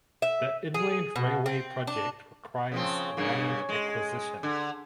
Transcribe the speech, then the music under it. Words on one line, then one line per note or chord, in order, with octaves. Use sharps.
The Inland Railway project requires land acquisition.
E5
G#4
B2
C4
D4
C#3 F3 C4
G2 C#3 A#3
G#3
D3